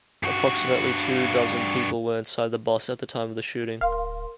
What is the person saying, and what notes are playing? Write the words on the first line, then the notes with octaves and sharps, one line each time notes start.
Approximately two dozen people were inside the bus at the time of the shooting.
G2 F#4
D1 A#4 F5 C6